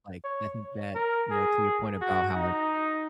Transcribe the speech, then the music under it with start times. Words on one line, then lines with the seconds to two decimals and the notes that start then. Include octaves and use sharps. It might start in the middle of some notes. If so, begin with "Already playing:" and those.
Like, I think that, you know, to your point about how
0.24 C#5
0.95 A#4
1.31 G#4
2.01 F#4
2.36 D#4